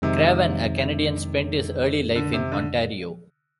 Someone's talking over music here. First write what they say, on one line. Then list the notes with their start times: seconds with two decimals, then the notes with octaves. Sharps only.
Craven, a Canadian, spent his early life in Ontario.
0.02 F2 C3 D#3 G#3 D#4
2.16 D3
2.33 C3
2.52 D3